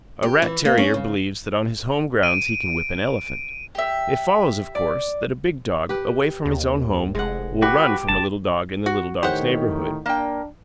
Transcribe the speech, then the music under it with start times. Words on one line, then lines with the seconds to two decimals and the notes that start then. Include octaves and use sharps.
A rat-terrier believes that on his home grounds he can whip an elephant. It follows, of course, that a big dog, away from his own home, will run from a little dog in the little dog's neighbourhood.
0.23 G4
0.42 E3
0.65 A#3
0.78 C#4
0.94 C#3
2.23 D7 D#7
3.75 G4 E5
4.75 D5
5.89 G4 B4
6.46 D#2
7.15 F1 G#3 F#5
7.62 F#4 G4 B4
8.08 F1 A5
8.86 F#4
9.23 A2 D#3 G4 C5 C#5 F#5
10.06 A#3 D4 G5